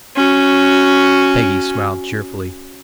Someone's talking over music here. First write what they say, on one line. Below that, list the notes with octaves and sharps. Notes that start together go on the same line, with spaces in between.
Peggy smiled cheerfully.
C#4 F#4